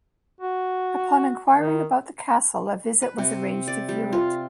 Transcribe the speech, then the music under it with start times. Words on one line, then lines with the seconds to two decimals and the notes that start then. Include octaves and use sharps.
Upon enquiring about the castle, a visit was arranged to view it.
0.40 F#4
1.54 D#3
3.02 B4
3.18 C3
3.68 D5
3.89 G3
4.12 F4